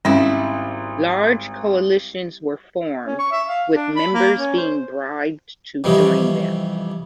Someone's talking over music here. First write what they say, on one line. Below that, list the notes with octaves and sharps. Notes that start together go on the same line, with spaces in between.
Large coalitions were formed, with members being bribed to join them.
G#1 G3 C#4 E4
C#4
C#6
E5
F5
D4
B5
A#3
C#4
C5
F2 C3 E3 G3 C#4 D#4